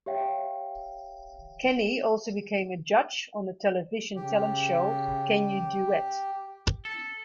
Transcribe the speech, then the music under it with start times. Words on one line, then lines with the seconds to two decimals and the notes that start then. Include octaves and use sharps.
Kenny also became a judge on the television talent show "Can You Duet".
0.06 G4 C#5 E5 F5 G5
4.16 C#3 G4
6.85 A4